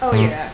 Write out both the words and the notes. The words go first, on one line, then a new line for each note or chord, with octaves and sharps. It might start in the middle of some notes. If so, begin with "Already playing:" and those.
Oh, yeah.
A2